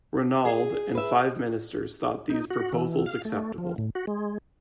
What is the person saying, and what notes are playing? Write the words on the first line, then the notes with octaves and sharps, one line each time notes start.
Reynaud and five ministers thought these proposals acceptable.
G#4
B4 E5
D#4
F#4
E3
F5
A3
F3
A2
F#4
G#3